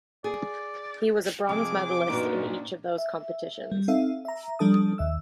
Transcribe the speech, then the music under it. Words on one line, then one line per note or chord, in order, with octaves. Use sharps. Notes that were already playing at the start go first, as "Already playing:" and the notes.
He was a bronze medalist in each of those competitions.
G#4 D5
F2 C3 G#4 D6
F#2 A#2 B3 D4 D#4 F#4 C5
E5
G3
C4 D#4 A4 E5 F5
E5 A#5
F3 G3 D4 A4 A5 D#6
D#2 E5 E6